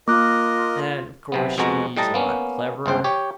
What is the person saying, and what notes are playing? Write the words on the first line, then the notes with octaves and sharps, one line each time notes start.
And, of course, she's a lot cleverer.
A#3 F4 A#4 D#5 D6 F#6
B1 C3 B3
F2 B2 G#3 F#4 A#5
A2 G3 D#5 A5 A#5
A#3 B3 C#4
G1 C#2 C5 G5
G4 C#5